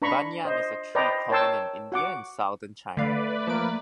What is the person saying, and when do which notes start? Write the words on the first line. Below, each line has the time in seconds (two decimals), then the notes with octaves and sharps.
"Banyan" is a tree common in India and southern China.
0.02 D4 B4 A#5 B5 C#6
0.45 C5 D#5
0.95 B4 C5 D5 D#5 G5 A#5
1.30 A#4 C#5 G5 A5 C6 E6
1.92 F#4 F#5 D6
2.97 D3 A3 B4 D5 F5
3.47 F3 A#3 D7